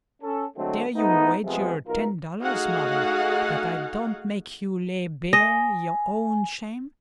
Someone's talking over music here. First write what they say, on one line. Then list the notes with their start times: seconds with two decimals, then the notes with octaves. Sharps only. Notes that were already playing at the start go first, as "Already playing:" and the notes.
'Dare you wager ten dollars, mother, that I don't make you lay bare your own shame?'
0.22 C#4 A4
0.56 D3 F#3 G#3 A3 C4
0.93 G#2 A3 B3 D#4
1.45 F2 C3 F3 G#3 B3
1.86 B1 F4 A#4
2.40 A3 D#4 F#4 G#4 F5 F#5
5.33 D#5 G#5